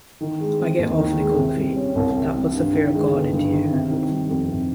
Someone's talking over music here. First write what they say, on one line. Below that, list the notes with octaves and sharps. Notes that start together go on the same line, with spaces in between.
I get awfully cold feet. That puts the fear of God into you.
D#3
G#3
C4
D#2
D#3
G#3
C3
G3
C#4
C2
C3
G3
G2
D#3
G#3
G1
G2
D#3
C3
D#3
G3
F2
C3